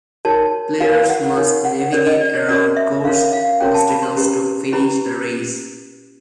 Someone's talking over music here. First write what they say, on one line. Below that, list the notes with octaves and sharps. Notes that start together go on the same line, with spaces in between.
Players must navigate around course obstacles to finish the race.
D#4 F#4 A#4 C#5 A5
D#4 F#4 A#4 C#5 F5
F#5
D#4 F#4 A#4 C#5
F#5
C#4 F#4 A#4 C#5 D5
D#5
D5
C#5
C#4 F#4 A#4 C#5 D5
E5
C#4 F#4 A#4 C#5 F5
F5
C#4 F#4 A#4 C#5 G5
A5
B5
C6
C#4 E4 G4 B4
C#4 E4 G4 B4 B5